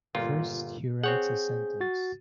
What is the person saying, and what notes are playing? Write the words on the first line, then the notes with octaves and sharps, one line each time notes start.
First he writes a sentence.
G1 A#2 F4
C4 G#4 C#5 F#5 G6
F#4 A6